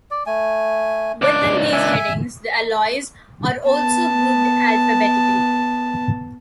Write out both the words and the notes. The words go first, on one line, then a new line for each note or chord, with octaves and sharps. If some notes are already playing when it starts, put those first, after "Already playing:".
Within these headings, the alloys are also grouped alphabetically.
D5
A3 G#5
C#2 D4 D6
E5 G#5
B3 A5